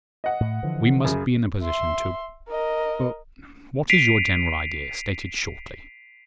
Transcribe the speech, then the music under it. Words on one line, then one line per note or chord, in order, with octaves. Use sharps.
We must be in a position to--What is your general idea, stated shortly?
D#5 F#5
A2
D3 E3 F3
F#2 C#3
E5 C6
A#4 D#5
B6 C7 D7 D#7 F7